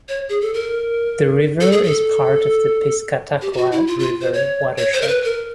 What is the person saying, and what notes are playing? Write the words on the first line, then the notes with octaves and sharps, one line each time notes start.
The river is part of the Piscataqua River watershed.
C#5
G#4
A4
A#4
A4
G#4
A4
G4
G4
F#4
E4
F4
F4
C5
C#5
C#5
C5
A#4
B4
A#4